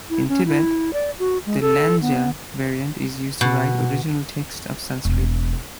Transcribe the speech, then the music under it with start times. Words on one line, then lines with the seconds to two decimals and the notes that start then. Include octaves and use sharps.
In Tibet, the Lanydza variant is used to write original texts of Sanskrit.
0.10 E4
0.29 C#4
0.46 E4
0.93 D5
1.19 F#4
1.46 G#3
1.61 A4
2.01 B3
3.41 B2
5.05 E1